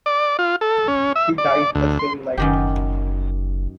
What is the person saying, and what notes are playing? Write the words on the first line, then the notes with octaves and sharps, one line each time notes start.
He died the same night.
D5
F4
A4
C#4
E5
D5
D2
C6
F#1 F#2 D#3 G4